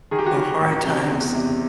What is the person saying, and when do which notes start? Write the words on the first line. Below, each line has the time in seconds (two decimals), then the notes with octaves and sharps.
or hard times
0.11 D#3 G#4
0.19 G4
0.26 F#4
0.34 D#3 G4
0.61 A1
0.85 C3
1.10 E2
1.35 C3